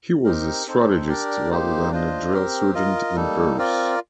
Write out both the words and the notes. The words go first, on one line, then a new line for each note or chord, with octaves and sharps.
He was a strategist rather than a drill-sergeant in verse.
C4 D#4 G4 A#4
C4 D#4 A4 C5
D4 G4 A#4 D5
A#3 D#4 G4 C5
D4 F4 C5 D#5
C4 G4 A#4
F4 A#4 D#5
G3 A#3 D#4 A4
C4 F4 A#4 D5